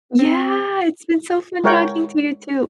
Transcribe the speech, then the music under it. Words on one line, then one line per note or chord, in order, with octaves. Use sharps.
Yeah, it's been so fun talking to you, too.
C4
G#3 E4 A#4 C#5 F#5 G5